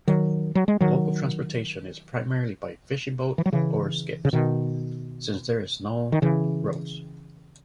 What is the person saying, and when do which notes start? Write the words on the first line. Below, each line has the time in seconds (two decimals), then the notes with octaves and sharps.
Local transportation is primarily by fishing boats or skiffs, since there are no roads.
0.07 D#3 F#3
0.55 F#3
0.68 G#3
0.81 D#3 F#3
3.38 E3
3.46 F#3
3.53 C#3 E3
4.25 C#3
4.33 B2 D#3
6.12 D#3
6.22 C#3 E3